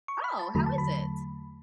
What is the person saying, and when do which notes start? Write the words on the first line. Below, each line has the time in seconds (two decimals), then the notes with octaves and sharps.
Oh, how is it?
0.08 C#6
0.24 B5
0.39 A5
0.55 E2 D3 F#3 A3 B5
0.66 A5
0.78 B5